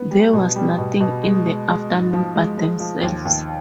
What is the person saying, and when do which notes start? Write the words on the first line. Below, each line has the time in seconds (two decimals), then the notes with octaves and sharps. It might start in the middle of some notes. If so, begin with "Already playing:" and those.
There was nothing in the afternoon but themselves.
Already playing: B3
0.11 G3
0.33 B2
0.56 G3
0.78 B2
1.00 B2
1.23 G#3
1.46 G#3
1.68 G#3
1.90 G#2
2.13 F3
2.35 G#3
2.57 G#3
2.80 F3
3.03 D#2
3.25 D#2